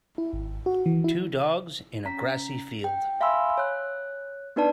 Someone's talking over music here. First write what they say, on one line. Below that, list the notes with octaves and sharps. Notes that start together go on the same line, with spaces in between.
Two dogs in a grassy field.
E4
G#1
F#4
E3
E4
C#4 A#5 B6
G5
E5 F5 G#5 B5 C6 E6
C#5 F#6
B3 D4 D#4 B4 D5 A5